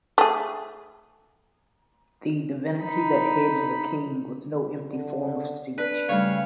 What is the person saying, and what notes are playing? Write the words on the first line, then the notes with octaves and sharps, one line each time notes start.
The divinity that hedges a king was no empty form of speech.
A3 G#4
D#4 B5
D3
D4 B4
C#3 G3 A3 C#5 F5